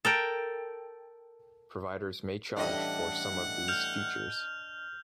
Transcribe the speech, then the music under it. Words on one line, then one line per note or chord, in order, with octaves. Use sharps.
Providers may charge for some of these features.
A4 A#4 G5
A1 A2 G3 D4 D#5 F#5
F6 G6 F7